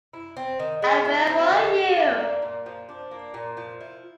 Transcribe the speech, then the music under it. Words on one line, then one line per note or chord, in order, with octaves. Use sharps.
And where were you?
E4
C4
D#3
G#3
E4
C4
D#3
G#3
D4
A#3
A#2
F3
D4
A#3
A#2
F3
E4